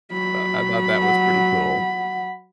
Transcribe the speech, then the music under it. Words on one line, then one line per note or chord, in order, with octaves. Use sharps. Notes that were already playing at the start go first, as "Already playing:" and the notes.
Uh, I thought that was pretty cool.
F#3 B5
F#5